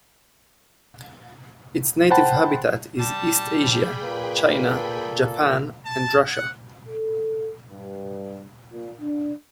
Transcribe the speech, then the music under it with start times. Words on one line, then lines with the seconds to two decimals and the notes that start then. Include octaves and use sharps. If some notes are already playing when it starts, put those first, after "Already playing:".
Its native habitat is East Asia, China, Japan, and Russia.
2.10 C5 F#5 G5 A5 B5
2.99 G3 A5
3.57 F3 G#4 G5 B5
4.01 A#2 A#3 B4
4.69 A4
5.85 A5
6.26 F#5
6.88 A4
7.70 G2
8.71 A#2
9.00 D4